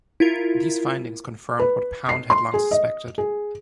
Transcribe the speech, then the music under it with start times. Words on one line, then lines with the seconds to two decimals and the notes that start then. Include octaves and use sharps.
These findings confirmed what Pound had long suspected.
0.20 E4 F4 A#4
1.59 B4
2.09 C7
2.30 C6
2.54 G#4
2.71 D#5
3.18 G#4